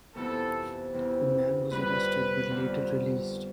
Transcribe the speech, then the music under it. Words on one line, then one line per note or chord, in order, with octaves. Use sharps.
The man was arrested but later released.
F2 C3 E3 B3 E4 A4
F2 C3 E3 B3 E4
F2 D3 G3 B3 F4 B4
F2 D3 G3 B3 F4